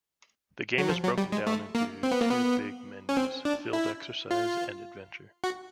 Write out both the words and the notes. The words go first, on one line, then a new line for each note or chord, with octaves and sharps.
The game is broken down into two big menus: field exercise and adventure.
F#3
F3
F#3
G3
G#3
A3
A#3
C4
B3
A#3
B3
C#4
C4
D4
E4
F4
F#4